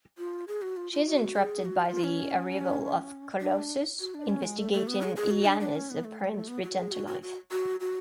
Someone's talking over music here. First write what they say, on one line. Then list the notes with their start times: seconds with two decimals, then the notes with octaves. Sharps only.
She is interrupted by the arrival of Colossus, investigating Illyana's apparent return to life.
0.18 F4
0.48 G#4
0.62 F#4
0.77 F4
0.92 F4
1.06 F#4
1.36 G#4
1.65 F#4
1.85 F4
2.04 C#4
3.41 D4
4.00 F#4
4.14 D4
4.29 C#4
4.43 G#3
4.58 A3
4.73 A3
4.88 B3
5.03 G#4
5.16 G#4
5.31 F#4
5.45 D4
5.60 D4
5.75 C#4
5.90 B3
6.04 A3
6.20 G#3
6.34 A3
6.48 B3
6.63 F#4
6.78 G#4
6.92 F#4
7.07 F#4
7.22 F#4
7.51 F#4
7.80 F#4